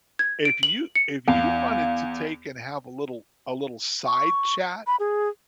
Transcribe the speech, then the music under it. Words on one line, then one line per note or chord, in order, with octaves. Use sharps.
if you if you wanted to take and have a little a little side chat
G#6
D7
F#7
C#7
E2 F5
C#6
B5
G#4